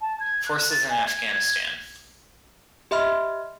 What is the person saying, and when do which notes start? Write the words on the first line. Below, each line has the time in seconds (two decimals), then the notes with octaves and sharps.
Forces in Afghanistan.
0.01 A5
0.20 G#6
0.46 F#6
0.71 A6
0.90 G#5
1.07 G#6
1.28 G#6
2.91 G4 D#5 E5 B5 C6 F6